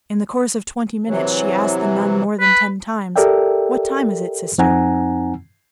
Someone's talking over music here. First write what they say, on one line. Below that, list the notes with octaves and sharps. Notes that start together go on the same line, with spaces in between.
In the course of twenty minutes, she asked the nun more than ten times, "What time is it, sister?"
C3 E3 F#3
B4
G4 A4 A#4 D5 E5 G5
F2 C4 D#4 F#5 G#5 A#5